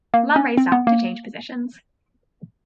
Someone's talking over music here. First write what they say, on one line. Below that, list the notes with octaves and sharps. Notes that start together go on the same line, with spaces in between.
Lum raised up to change positions.
A#3
C#4
C4
B3
A#3